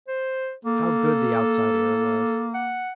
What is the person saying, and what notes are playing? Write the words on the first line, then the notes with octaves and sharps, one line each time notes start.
How good the outside air was!
C5
A#3 A4
F#5